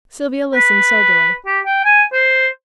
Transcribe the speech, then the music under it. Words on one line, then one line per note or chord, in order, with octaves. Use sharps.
Sylvia listened soberly.
B4
G4
G5
G#5
C5